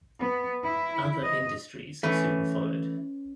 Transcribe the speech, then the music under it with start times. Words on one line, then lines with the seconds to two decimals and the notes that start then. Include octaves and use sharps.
Other industries soon followed.
0.20 B3
0.64 E4
1.22 D#5
2.03 E3 A3 C#4 B4